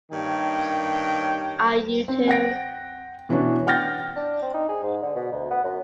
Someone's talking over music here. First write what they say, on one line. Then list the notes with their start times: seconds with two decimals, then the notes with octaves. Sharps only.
Are you two?
0.12 G2 D#3 A#3 D4 C#5 G5
2.08 C4
2.28 F#5 G5 A#6 D7
3.29 B2 E3 B3 C#4 D4 F#4
3.67 F#5 G5 F6 G6 A6 A#6
4.16 D4
4.42 C4
4.54 D#4
4.69 G#4
4.83 G#2
5.02 D3
5.16 B2
5.32 D2
5.51 B3
5.64 F#2